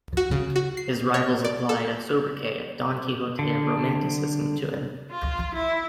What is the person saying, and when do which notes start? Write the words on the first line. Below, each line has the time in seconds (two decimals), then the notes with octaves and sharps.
His rivals applied a sobriquet of "Don Quixote of Romanticism" to him.
0.17 F#4
0.31 C#3
0.56 F#4
0.77 C7
1.14 C#5
1.44 D5
1.69 A4
3.39 D3
5.11 F4
5.54 E4